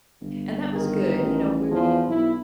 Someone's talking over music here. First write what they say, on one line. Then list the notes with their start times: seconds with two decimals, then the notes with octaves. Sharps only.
and that was good, you know, we
0.21 G1
0.73 D#3
1.21 A1
1.71 E2 F3
2.07 B1 E4